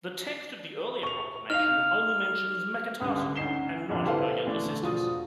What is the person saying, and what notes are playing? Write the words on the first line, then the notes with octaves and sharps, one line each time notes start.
The text of the Earlier Proclamation only mentions Meketaten and not her younger sisters.
C#6 F7
D#4 F5 F6 F7
C#2 G2 D3
D2 C#4 D#4 C7 E7 G7
C2 F2 A#2 D3
E4 G4 A4 B4 C5 F5
A#1 D3 E3 A3 D4
E1 F3 F4 F#4 D#6